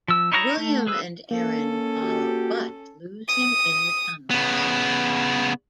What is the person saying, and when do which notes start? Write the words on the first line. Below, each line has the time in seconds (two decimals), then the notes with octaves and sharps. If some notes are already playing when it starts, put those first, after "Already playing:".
William and Aren follow, but lose him in the tunnels.
0.08 F3 E6
0.32 D#4 E4 C#5 F5 A#5
0.57 A3
0.87 F#3 G#4 B4 E6
1.31 A#3 C#4 A4
2.03 F#4 G4
3.28 D#6
4.31 C#3 B3